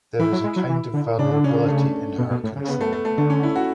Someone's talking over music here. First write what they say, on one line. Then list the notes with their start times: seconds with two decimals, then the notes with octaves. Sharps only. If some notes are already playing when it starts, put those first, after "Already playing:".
There is a kind of vulnerability in her control.
0.19 E3 E4
0.32 F#3
0.44 G#3
0.56 F#3
0.69 E3
0.93 D3
1.19 C#3 D4
1.32 D3
1.44 C#3 C#4
1.58 D3
1.69 C#3 A3
2.18 B2
2.31 B2
2.43 A2
2.56 C#3
2.68 B3
2.81 A3
2.93 A3
3.05 A3
3.18 D3 A3
3.30 C#4
3.43 E4
3.56 F#4